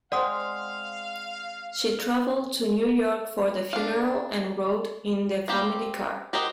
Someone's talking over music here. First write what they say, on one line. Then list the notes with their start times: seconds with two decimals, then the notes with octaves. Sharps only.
She traveled to New York for the funeral and rode in the family car.
0.12 G#3 C4 D5 F5 F#5 D#6
3.73 D4 F5
5.48 A#3 C4 G4
6.33 F#4 G4 A#4 C5 D#5